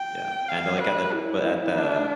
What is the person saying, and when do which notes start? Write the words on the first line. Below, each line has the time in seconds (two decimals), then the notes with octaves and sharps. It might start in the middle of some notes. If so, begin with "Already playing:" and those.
Yeah, and, like, at the but at the
Already playing: G5
0.48 F5
0.80 B4
1.13 E4
1.77 D4